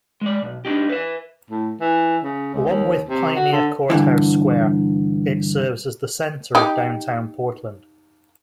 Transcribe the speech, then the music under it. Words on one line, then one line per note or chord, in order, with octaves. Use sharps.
Along with Pioneer Courthouse Square, it serves as the center of downtown Portland.
G#3 D5
B1
D4 D#4 G4
B4 E5
A2
E3
C#3
C#2
D#2
C3
F#4
D3
G2 A#2 D3 E3
D#4 G4